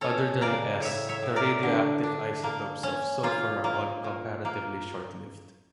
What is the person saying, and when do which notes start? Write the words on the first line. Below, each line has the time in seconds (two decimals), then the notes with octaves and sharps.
Other than S, the radioactive isotopes of sulfur are all comparatively short-lived.
0.01 C#4 A4 C#5
0.41 C#3 A#4 D5
0.80 A2 C#5 E5
1.09 C#5 E5
1.22 A2
1.36 A#4 D5
1.63 D3
2.03 D4
2.43 A#3
2.83 C#4
3.23 A#3 F4
3.64 A#3
4.04 A#2
4.45 A#3